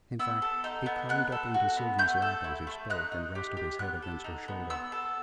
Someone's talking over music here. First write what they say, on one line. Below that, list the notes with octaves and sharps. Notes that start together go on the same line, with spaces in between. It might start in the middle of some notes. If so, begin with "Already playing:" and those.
In fact, he climbed up into Sylvie's lap as he spoke, and rested his head against her shoulder.
B3 E6
A4
D#4
B3
B3 F#6
A4
F#4
B3
A3 G6
A4
E4
A3
D#4 F#6
D#4
G4
G4
B3 F#6
A4
D#4
B3
B3 E6
A4